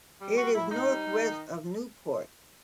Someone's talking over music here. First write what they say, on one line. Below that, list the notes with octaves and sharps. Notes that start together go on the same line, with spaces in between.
It is north west of Newport.
G3
G3 F#4
A2 E4
A2 D#4
G3
G3
D#3